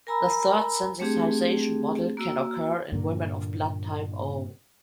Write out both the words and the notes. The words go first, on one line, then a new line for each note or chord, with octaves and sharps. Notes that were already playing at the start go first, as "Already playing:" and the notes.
The third sensitization model can occur in women of blood type O.
A#4 G#5 A#5 B5 E6
G3 A3 C4 D4 G4 G#4
A#3 F#4 E6
G2 A#2 D3 A#3